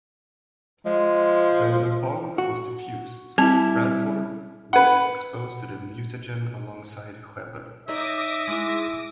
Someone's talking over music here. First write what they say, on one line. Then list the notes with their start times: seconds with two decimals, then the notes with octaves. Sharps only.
Though the bomb was defused, Bradford was exposed to the mutagen alongside Xever.
0.86 F3 G#3
2.38 F#4
3.38 G3 C4 E4 A5
4.73 B4 F#5
7.88 C#4 D#4 D#5 E5 D6 D#6 A#6
8.47 G#3 E4